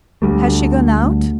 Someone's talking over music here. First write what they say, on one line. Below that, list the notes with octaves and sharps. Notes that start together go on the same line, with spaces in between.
Has she gone out?
D2 G3 A3